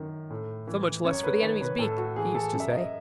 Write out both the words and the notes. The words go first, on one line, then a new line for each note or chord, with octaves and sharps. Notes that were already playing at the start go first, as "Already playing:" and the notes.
So much less for the enemy's beak, he used to say.
Already playing: F#2 D#3
A2
E3
F#2 C#5
B4
D#3 C#5
B4
A2 A4
F#4
E3 G#4
A4
F#2
E5
D#5